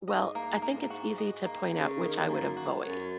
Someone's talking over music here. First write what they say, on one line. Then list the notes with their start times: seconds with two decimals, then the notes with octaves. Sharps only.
Well, I think it's easy to point out which I would avoid.
0.08 G#2 D#5
0.35 A#3
0.62 A#3
0.90 F#4
1.18 D#5
1.46 A#3
1.73 C#3 C#5
2.01 D#3 A#3
2.29 F#2 A#3
2.57 F#4
2.84 F#2 C#5